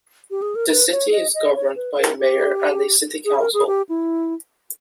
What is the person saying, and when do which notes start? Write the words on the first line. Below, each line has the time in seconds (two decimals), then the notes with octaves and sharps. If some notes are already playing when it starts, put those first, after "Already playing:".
The city is governed by a mayor and a city council.
0.31 G4
0.42 G#4
0.55 A#4
0.70 B4
0.92 C#5
1.12 D#5
1.34 D#5
1.55 C#5
1.76 B4
1.98 A#4
2.19 G4
3.25 G#4
3.39 A#4
3.54 G#4
3.67 G4
3.89 E4